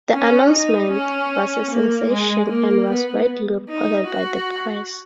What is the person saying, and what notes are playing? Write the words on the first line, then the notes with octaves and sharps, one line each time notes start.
The announcement was a sensation and was widely reported by the press.
C#4
D#4
C#4
A#3
G#3
A#3
B3
D#4
F#4